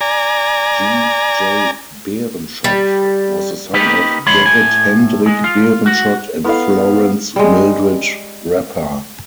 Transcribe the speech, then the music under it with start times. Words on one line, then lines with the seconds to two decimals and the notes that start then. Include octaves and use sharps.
G. J. Berenschot was the son of Gerrit Hendrik Berenschot and Florence Mildred Rappa.
0.01 D5 G#5 A#5
2.64 G3
3.74 A#3 D#4 G4 B4
4.27 F2 D3 G#3 C#5 B5 C6
4.45 A2 G#5
5.26 G#3
5.44 F4
5.86 F#4
6.44 B3 E4 A4 F5
7.36 G3 G#3